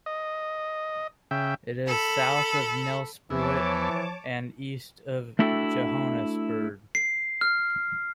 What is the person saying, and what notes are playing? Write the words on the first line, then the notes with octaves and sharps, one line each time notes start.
It is south of Nelspruit and east of Johannesburg.
D#5
C#3 E5 G5
A4 B5
E2 E3 F3 B3 E4 C#5 A5 D6
A3 D4 E4 F#4 A4 G5
C7
F6